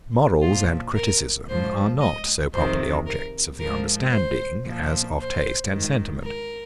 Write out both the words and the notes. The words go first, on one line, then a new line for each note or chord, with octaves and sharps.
Morals and criticism are not so properly objects of the understanding as of taste and sentiment.
A#2 F3 F4
A#4
G#2 F3 C5
D#5
F2 C3 D#3 C5
A#4
G#2 F3 A#4
C5
A#2 F3
C5
G#2 D#3
A#4